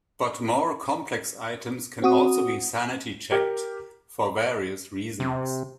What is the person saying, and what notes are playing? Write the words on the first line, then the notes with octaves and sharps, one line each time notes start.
But more complex items can also be sanity-checked for various reasons.
C4 F#4 D#6
G4 A#4
C3